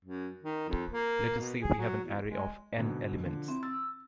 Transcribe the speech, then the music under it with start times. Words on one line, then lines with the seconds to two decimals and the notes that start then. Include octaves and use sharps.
Let us say we have an array of n elements.
0.05 F#2
0.43 D#3
0.69 F2
0.92 A#3
1.39 B2
1.61 G#4
1.78 F#3
2.04 E2
2.24 G#3
2.77 G#2 B2 D3
3.25 D3 F3
3.48 C4 E4
3.63 E6 A6